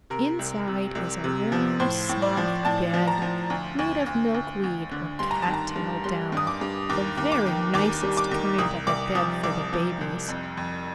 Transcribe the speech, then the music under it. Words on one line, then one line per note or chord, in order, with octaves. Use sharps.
Inside is a warm, soft bed made of milkweed or cattail down, the very nicest kind of a bed for the babies.
C3 A#4
C2
C3
C2
C3
F3
A2 C5
A2
D5
F3
A2 A5
F3
A#5
F3
D2
D2
D2
D2
D2
D3
G2 C6
A#5
A5
D#3
A#5
G2
G3 C6
G2 D#6
D6
G2
D#2 D6
D#2
D6
D#3
D#2 D6
G3
D6
D#2
C2 D#6
C2 D6
F3 D#6
C2 D6
F3
C2
F2
F2